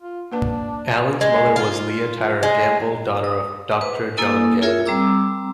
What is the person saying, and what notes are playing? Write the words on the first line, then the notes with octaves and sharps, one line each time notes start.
Allan's mother was Leah Tyrer Gamble, daughter of Doctor John Gamble.
F4
A#3 D4 B4 A5
G#3
F4
G#3
D#6
B4
A#3 E4 A4 G#5 D#6
E4 F4 G#4 A#4 C#5 E5
G3 C4 A#5 D6 E6